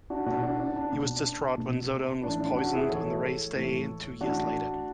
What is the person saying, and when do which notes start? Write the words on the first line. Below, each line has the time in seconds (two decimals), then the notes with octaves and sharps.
He was distraught when Zoedone was poisoned on the race day two years later.
0.10 D4 F#4
0.26 B2 D4 F#4
0.43 D4 F#4
0.59 D4
0.76 D4
0.92 B2 D4
1.58 B2
2.23 A2 E3 D4
2.40 D4
2.56 D4 F#4
2.73 E4 G#4
2.89 A2 E3 A4 C#5
3.55 A2 E3
4.21 A2 E3 D4 F#4